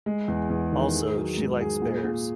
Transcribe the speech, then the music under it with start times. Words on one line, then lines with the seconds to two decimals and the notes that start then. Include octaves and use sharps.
Also, she likes bears.
0.06 G#3
0.28 E2
0.50 E2
0.73 D#3
0.94 G#4
1.16 F#3
1.38 G#2
1.61 G#4
1.82 A#2
2.04 A#2